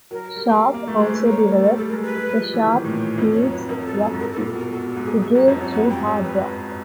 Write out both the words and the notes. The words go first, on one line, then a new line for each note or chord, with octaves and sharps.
Sharp also developed the "Sharp-Hughes Rock Bit" to drill through hard rock.
F#3 A#4
G3
A#3
A#3
A3
G#3
C5
A3 B4
A#3
C#5
A#3
A#4
A3
G3 A4
G3 A4
G#3 A#4
B4
G#3
G3
F3
E3
D#3
A2
A#2
F2 C5
C#5
F#2
B4
F2 A#4
A#4
A4
F#2
A4
G#2
G2 A#4
A4
A#2
A4
B2
A#4
B2 A4
A4
G#2
G#4
G2 A4
F#2 B4
F2 C5
F#2 C#5
G2 F#5
G5
G#2
C#5
B4